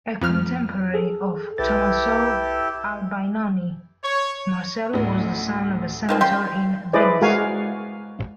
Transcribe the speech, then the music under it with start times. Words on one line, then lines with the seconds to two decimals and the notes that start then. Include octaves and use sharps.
A contemporary of Tomaso Albinoni, Marcello was the son of a senator in Venice.
0.21 F2 F3 F6
0.94 G#4 A4
1.58 B1 E4 G4 A4 B4 A6
4.03 C#5
4.93 A1 D2
6.09 D#3 F3 C4
6.21 C#3 G5 C6
6.93 E4 G#4 B4 C5 D5 D#5
7.21 G#3 F#4 A#4 F5 G#5